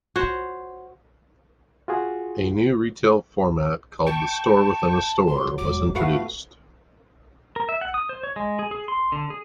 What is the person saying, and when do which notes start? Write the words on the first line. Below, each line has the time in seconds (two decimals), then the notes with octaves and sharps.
A new retail format called the "store within a store" was introduced.
0.16 F#4 C5 C#5
1.88 F4 F#4 G#4
4.07 G5 A5 C#6
5.28 F#3 C6
5.58 E1 G#2 D6
5.95 G2 A3 B3 F#4 F5
7.56 A#4
7.69 E5
7.81 F#5
7.94 D#6
8.09 C5
8.23 C#5
8.36 G#3
8.59 G#4
8.71 G#4
8.88 C6
9.12 D3
9.30 G#4